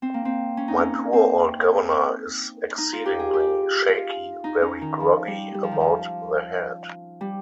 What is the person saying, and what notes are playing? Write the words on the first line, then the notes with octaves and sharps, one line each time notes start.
My poor old governor is exceedingly shaky, very groggy about the head.
C4
A#3
C4
C#4
D#4
C#4
C4
D#4
F4
G4
G#4
G4
F4
D#4
C#4
D#3
F3
G3
G3
F3
D#3
F3
G3